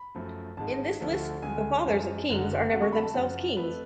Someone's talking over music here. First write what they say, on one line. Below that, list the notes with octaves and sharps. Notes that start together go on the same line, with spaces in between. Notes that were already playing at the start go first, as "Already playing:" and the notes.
In this list the fathers of kings are never themselves kings.
Already playing: B5
F#2 F3 A3
G#1 G#2 G#3 A5
D2 D3 F3 A3
D2 C#3 G#3 G#5
F#2 F3 G#3
F#1 F#2 D3 F#3
F2 D3 F#3 A3 F#5
C#6
B5
A5
F#2 C#3 F3 F#5
F2 F3 A3 B4